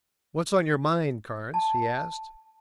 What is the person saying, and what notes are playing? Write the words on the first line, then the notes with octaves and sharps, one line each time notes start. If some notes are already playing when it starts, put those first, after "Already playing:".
"What's on your mind, Carnes?" he asked.
A5